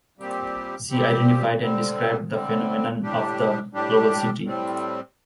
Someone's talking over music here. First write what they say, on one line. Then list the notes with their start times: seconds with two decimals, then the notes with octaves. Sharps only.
She identified and described the phenomenon of the "global city".
0.18 A#2 G3 C4 G4
0.90 A#2 G3 C4 G4
1.60 D3 G3 C4
2.31 D3 G3 C4
3.02 A2 G3 D4 G4
3.73 A2 G3 D4 G4
4.44 A2 G3 C4